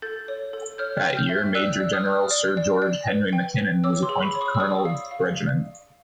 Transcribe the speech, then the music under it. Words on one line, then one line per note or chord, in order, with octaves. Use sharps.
That year, Major-General Sir George Henry MacKinnon was appointed colonel of the regiment.
A4 G6 A6
C#5
A4
C#5 F6 G6
G5
F6 G6
E5
D5 E6 F#6
D5
D#6 F6
D5
D5
D5
D5
B4
G5
B4
C#5 D6 E6
C6 D6
G#4
B5 C#6
C#5
C#6 D#6
E6
D5 C#6 D#6
F5
F5